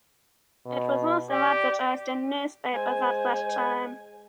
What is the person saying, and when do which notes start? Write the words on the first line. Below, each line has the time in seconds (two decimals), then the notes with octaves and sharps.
It was also advertised in newspapers at that time.
0.66 B2
1.30 G4 D5
2.74 G#3 C5 G#5